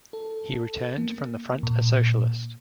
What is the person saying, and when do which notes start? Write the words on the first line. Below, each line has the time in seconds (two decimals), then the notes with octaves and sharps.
He returned from the front a socialist.
0.13 A4
0.98 A#3
1.63 A#2